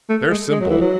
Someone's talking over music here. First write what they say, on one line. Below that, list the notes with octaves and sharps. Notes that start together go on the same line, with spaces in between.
They're simple.
A3
G#3
G#3
F#3
E3
F#3